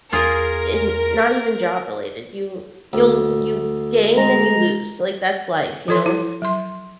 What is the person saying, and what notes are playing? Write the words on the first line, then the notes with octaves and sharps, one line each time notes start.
in not even job related. You you'll you gain and you lose. Like, that's life, you know?
E2 F4 G#4 A#4
D2
G#3 A#5
F3 F4 A4 C#5 C6
E4
F#3 C6